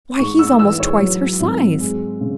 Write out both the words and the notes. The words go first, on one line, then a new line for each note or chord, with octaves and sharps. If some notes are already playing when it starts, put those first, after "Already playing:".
"Why, he's almost twice her size."
G#2 C#6
E6
E3 E6
C#5
F#3
G#1
G#3
C#3